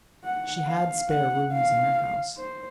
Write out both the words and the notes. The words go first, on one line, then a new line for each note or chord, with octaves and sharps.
She had spare rooms in her house.
F#5
F5
F#5
F5
C5